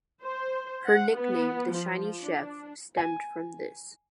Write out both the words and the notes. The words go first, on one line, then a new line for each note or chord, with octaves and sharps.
Her nickname, the "Shiny Sheff", stemmed from this.
C5
F#5
B3
F3
D4
G#5